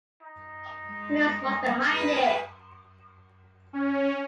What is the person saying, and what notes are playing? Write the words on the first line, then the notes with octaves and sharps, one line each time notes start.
Who knows what's behind it.
D#4
G#3
G#4 B4
C#4